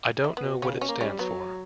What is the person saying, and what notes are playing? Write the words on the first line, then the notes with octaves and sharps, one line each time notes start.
I don't know what it stands for.
E4
B3
B2
C#3 C#4
B2
C#4
A#3
G3 C#4
F#3 B3